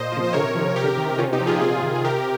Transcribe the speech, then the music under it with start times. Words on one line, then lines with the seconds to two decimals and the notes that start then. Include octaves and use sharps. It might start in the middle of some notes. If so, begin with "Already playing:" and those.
It's also set to air on Laff.
Already playing: A#2 C5 D#5
0.12 F3
0.24 C5
0.33 C3 A#4 C#5
0.55 F3
0.76 C3 G4 A#4
0.97 D#3
1.18 C3 C#4 F4
1.33 D#4 G4
1.40 F3
1.47 F4 G#4
1.61 C3 F4 G#4
1.83 D#3
1.95 G#4
2.04 C3 G4 A#4